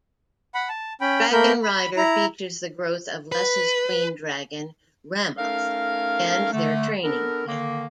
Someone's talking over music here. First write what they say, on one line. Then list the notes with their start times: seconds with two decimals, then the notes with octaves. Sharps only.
"Dragonrider" features the growth of Lessa's queen dragon, Ramoth, and their training together.
0.54 F#5 B5
0.69 A5
1.01 C#4 G5 B5
1.32 A3 A#3 A#4 B5 G6
1.63 B5
1.97 E4 A#5
3.32 B4
5.38 A3 C#4 D#4 A4 A#4 F5
6.53 D3 A3
7.03 B3 D4 A4 A#4
7.46 D3 D#3 A#3